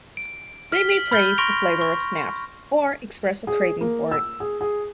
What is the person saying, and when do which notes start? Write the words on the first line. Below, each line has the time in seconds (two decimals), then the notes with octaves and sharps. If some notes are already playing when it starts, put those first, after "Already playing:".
They may praise the flavour of snaps or express a craving for it.
0.17 D7
0.72 F6 B6 G7
0.89 F#7
1.11 B5 F6 G6 A6 G7
1.38 C6 C#6 A#6 D7 F7
1.81 C#6
3.47 G#4
3.81 A#3
4.11 E6
4.40 G#4
4.61 G#4